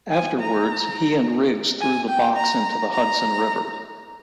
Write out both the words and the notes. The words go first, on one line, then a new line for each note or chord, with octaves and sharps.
Afterwards, he and Riggs threw the box into the Hudson River.
G#5
A#5
G#5
G5
A#5
A#5